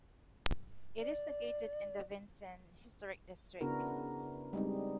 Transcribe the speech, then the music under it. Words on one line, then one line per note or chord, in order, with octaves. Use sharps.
It is located in the Vincennes Historic District.
D5
C#3 B3 D4 E4 F#4 A#4
G3 G#3 C4 D#4